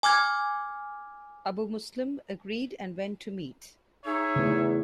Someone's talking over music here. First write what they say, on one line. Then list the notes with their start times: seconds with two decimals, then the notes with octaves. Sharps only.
Abu Muslim agreed and went to meet.
0.03 G#5 D6 F6 G#6
4.05 D#4 G#4 C#5 E5
4.36 E2 C#3 A3